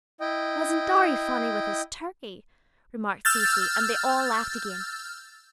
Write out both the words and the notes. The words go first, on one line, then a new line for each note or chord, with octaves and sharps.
"Wasn't Dorry funny with his turkey?" remarked Cecy; and they all laughed again.
E4 D#5 G5
E6 F6 G6 A6